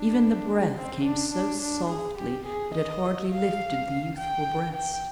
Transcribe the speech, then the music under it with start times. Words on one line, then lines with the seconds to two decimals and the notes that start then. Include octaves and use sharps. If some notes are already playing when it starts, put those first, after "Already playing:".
Even the breath came so softly that it hardly lifted the youthful breast.
Already playing: D4
0.76 C4
1.04 D4
1.33 D4
1.61 D4
1.89 G#4
2.18 G4
2.46 G#4
2.75 D#5
3.32 F5
4.17 G5
4.74 G5